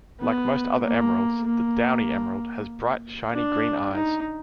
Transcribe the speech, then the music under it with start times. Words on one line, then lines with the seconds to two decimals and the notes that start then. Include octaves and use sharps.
Like most other emeralds, the downy emerald has bright shiny green eyes.
0.21 B3
0.83 A#3
1.46 A#3
3.32 D4
3.94 D#4